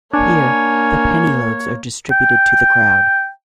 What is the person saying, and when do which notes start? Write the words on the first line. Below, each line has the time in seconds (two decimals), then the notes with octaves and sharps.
Here, the penny loaves are distributed to the crowd.
0.13 A#3 D4 C#5 G#5
2.11 G5